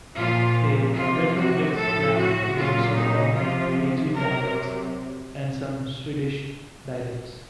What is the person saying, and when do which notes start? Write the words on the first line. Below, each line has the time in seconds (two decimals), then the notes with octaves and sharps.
A retroflex flap is also common in Norwegian dialects and some Swedish dialects.
0.16 A#2 F3 F4
0.95 C3 F3 F4
1.35 F#4
1.75 A2 F3 A4
2.14 F#4
2.54 A#2 F#3 F4
2.94 D#4
3.34 C3 F3 F4
4.14 C3 F#3 A#4